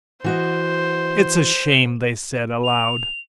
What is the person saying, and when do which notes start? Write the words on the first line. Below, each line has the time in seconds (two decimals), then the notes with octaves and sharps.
"It's a shame!" they said, aloud.
0.24 E3 F#4 C5 D#5
2.64 F7